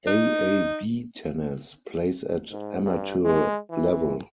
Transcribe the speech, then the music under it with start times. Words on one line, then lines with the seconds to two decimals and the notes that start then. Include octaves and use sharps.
AaB Tennis plays at amateur level.
0.07 D#4
2.51 G#2
2.85 G2
3.24 G#3
3.70 E3